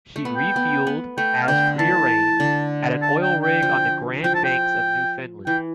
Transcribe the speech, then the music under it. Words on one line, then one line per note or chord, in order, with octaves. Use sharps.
She refueled, as prearranged, at an oil rig on the Grand Banks of Newfoundland.
A3
B3
G5
B3
B3
A3 G5
F5
D3 G5
E3 A5
D3
A5
G5
G5
F3
F3 G5
A5
G5
E3 G5